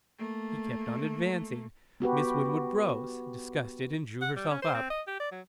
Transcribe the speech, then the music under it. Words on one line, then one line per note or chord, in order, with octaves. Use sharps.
He kept on advancing. Miss Winwood rose, disgusted, and drew herself up.
A3 A#3
B3 F#4 G4 B4
F#5
G3
C#4
C5
C4
D#5
G4
D5
F#3